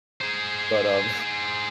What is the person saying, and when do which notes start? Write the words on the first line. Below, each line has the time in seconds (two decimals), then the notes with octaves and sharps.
but, um,
0.21 G#4 C5